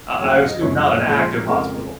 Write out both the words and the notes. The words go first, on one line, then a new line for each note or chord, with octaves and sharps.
I I assume not an active hospital.
D#2 C#3 F#3 A#3 C#5
F#5
F5
D#5
F#2 C#3 F3 G#3 C#5
D#5
D#5
A#1 A#2 F3 G#3 D#5
C5
A#4
F2 C#3 G#3 A#4